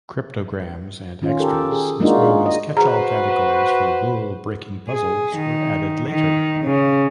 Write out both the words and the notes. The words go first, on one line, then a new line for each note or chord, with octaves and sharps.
Cryptograms and extras, as well as catchall categories for rule-breaking puzzles, were added later.
D#3 C#4 F4
G4 A4 A#4
G#4
G#3 A#3 D4 D#4 F4 F#4
G#4
D#5
F#4 G#4 B4 C5 A#5
G#4
D#3
D#3
C#3